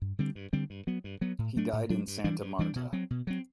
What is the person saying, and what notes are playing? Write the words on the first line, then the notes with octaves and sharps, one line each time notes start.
He died in Santa Marta.
G2
D3 G3 C4
G2
D3 G3 C4
G2
F#3 B3
G2
F#3 B3
A2
F#3 A3 D4
A2
F#3 A3 D4
G2
E3 G3 D4
G2
E3 G3 D4
B2
F#3 C4
B2
F#3 C4